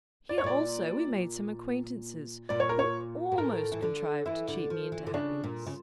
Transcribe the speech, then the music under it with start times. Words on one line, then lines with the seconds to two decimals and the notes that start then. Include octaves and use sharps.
Here also we made some acquaintances, who almost contrived to cheat me into happiness.
0.29 D5
0.38 C#5
0.44 A#2 D5
2.49 A#2 D5
2.60 C#5
2.69 A#4
2.79 C#5
3.32 A#2
3.38 A2 A#4
3.72 E3
3.82 D3
4.26 E3 E4
4.48 D3
4.70 F3
4.92 E3
5.07 D3
5.14 C#3 D4
5.44 A#2
5.67 C#3